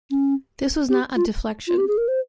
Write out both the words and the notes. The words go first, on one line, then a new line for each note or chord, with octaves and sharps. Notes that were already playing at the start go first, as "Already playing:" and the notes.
This was not a deflection.
C#4
G4
F4
F4
G4
G#4
A#4
C5